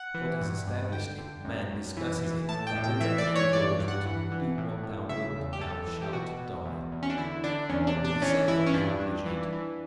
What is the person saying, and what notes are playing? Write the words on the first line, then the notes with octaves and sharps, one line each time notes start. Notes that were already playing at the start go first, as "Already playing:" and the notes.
God has established it, man discusses it; but over every door is written: 'Do what thou wilt, thou shalt die.' What will be said if I kill Brigitte?
Already playing: F#5
E3
G2
G2
D3 G5
D3
F#2
F#2
E3
E3
A2 A5
G5
A2
G5
E3 E5
D5
E3
C#5
G2 D5
G2
F#5
E3
E3
A2
A2
C#3 E5
E2
G4
E2 A4
E3
G4
B2 F#4
B2
E2
E2
C#4
D4
D3 E4
D3 D4
E2 C#4
D4
E2
D4
E3 C#4
E3 E4
C#4
G2 D4
G2
E3
E3